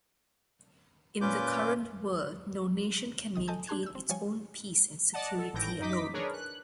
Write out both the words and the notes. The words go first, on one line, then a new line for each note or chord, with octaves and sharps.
In the current world, no nation can maintain its own peace and security alone.
A#2 C#4 F4 B4 D6 G6
B1 D#3 D#6
A4 D#5 G#5 A5 D#6 G6
D4 G4 A5 C6 F#6 G#6
E6 G6
C4
F3 G3 C#5 G#5
D5 D#5 F#5 A5
A4
G#1 A2 E3 G6 A#6 D7
F#2 D#4 D#5 D6 B6
D4 G#4 A#4 B4 C#5 D5
F#6